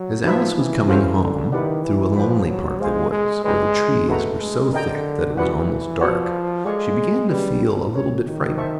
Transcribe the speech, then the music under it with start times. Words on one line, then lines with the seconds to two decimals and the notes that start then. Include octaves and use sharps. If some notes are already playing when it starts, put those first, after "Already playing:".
As Alice was coming home, through a lonely part of the woods, where the trees were so thick that it was almost dark, she began to feel a little bit frightened.
Already playing: F#3
0.23 F3 D#4 F#4 B4 E5
0.56 E3
0.88 C#4 F#4 A4 C5 F5
1.20 D3
1.52 D#3 E4 G4 B4 D5 F#5
1.84 E3
2.16 F3 B4 D5 G5 B5
2.48 F#3
2.80 G#3 C5 F5 G#5 C6
3.12 G#3
3.44 G#3 B4 D5 G5 A#5
4.08 A3 F#4 B4 D#5 F#5 A#5
4.40 G#3
4.72 D3 A#4 D#5 G5 A#5
5.37 E3 F#4 B4 D5 F#5
6.01 F3 F#4 B4 D5 F#5
6.65 G#3 A4 D5 F5 G#5 C#6
7.29 G3 C#4 F#4 B4
7.94 G4 A#4 C#5
8.26 D#3
8.57 C5 E5 A5 C#6